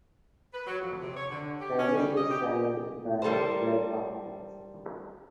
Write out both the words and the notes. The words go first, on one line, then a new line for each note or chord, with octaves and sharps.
Francis was signed by Greg Hopkins.
B4
F#3
F2
C3
C#5
D3
G4
C#4
G3
D#5
G4
G3 A4 A#4 C5